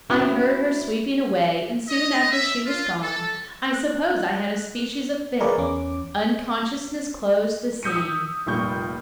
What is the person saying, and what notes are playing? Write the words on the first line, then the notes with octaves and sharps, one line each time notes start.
I heard her sweeping away; and soon after she was gone, I suppose I had a species of fit: unconsciousness closed the scene.
C4 C#4 E4 F#4 B4 C#5
D#5
E5
F4
A4
F#6
G#4 A#4 B4 C#5 D5 F5
E2 C#4 D6
D#6 E6 G6 B6 C#7 D#7
D#6
F1 A#2 G3 C#6 G6